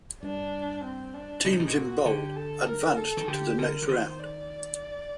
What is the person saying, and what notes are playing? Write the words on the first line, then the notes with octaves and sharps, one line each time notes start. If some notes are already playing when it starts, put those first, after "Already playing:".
Teams in bold advanced to the next round.
G2 D4
C4
D4
C3 D#4
A#2
A2
A#2
F#4
D3 G4
A4
A#4
A4
D#3
D3 G4
D3 A#4
D3
D#3 C5
D5